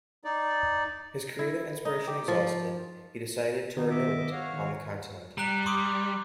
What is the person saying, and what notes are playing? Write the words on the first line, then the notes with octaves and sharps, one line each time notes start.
His creative inspiration exhausted, he decided to renew it on the continent.
D#4 D5
E4
D#4
G4
F3
D#3 B3 D#4
D#5 E5 D6
F#4 C#5 F5
D#3
G3 A#5 F#6
C6 D6 D#6